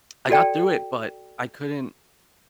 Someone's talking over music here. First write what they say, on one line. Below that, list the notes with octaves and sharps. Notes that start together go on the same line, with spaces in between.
I got through it, but I couldn't
F#4 A4 D5 G5